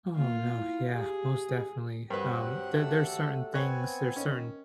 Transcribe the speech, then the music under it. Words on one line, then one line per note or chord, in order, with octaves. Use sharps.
Oh, no. Yeah, most definitely. Um, there there's certain things there's certain
A#3 F4
E4
G4 G#4
G2 F#3 C4 G4 B4 F#5
A3 A4 E6
B3 C4 C#5 G#5 F#6
D#3 C#4